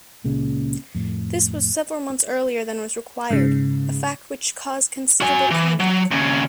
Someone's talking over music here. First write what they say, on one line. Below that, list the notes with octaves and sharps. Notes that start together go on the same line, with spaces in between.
This was several months earlier than was required, a fact which caused considerable comment.
C#2 A#2 C#3
F2 A2
G#2 C#3
F#4 G#5
E3
F#3
D#2 C#3